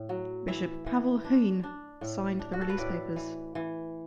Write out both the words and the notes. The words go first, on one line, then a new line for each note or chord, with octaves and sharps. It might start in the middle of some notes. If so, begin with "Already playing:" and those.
Bishop Pavel Huyn signed the release papers.
Already playing: A2
F#3
E3 E5
E3
D4
D4
A2
D4
F#4
A4
B4
A2 D5
E3
E3